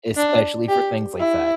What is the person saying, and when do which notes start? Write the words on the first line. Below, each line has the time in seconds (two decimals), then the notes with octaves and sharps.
especially for things like that.
0.17 D4
0.68 G4
1.20 E4